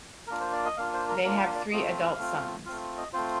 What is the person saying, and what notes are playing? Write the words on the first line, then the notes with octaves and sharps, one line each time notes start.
They have three adult sons.
A#3 D4 F4 A#4
C5
D5
D#5
A#3 D4 F4 F5
C5
A#4
A#3 D4 F4 A#4
A#4
D5
A3 C4 F4 D#5
F5
A3 C4 F4
A3 C4 F4 F5
D#5
A3 C4 F4 C5